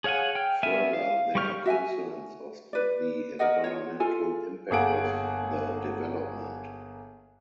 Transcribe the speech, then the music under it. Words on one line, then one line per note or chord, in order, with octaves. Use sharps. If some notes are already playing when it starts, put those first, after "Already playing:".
Further there are concerns of the environmental impact of the development.
G#4 C#5 F5 F#5 G#5
G5 F6
B3 E5 G#5 F6
F5
G3 G4 C#6 F6 G6
F#4 E5 G5 G#5
B4 D5
A#4 D5 D#5 F#5
F4 C#5
F4 A4 G#5
G1 A#3 G#4 A4 F#5 D7